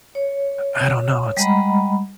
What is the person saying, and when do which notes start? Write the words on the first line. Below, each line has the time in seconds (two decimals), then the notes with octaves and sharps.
I don't know. It's
0.15 C#5
1.37 G3 G#3 D#5 F#5 A#5 B5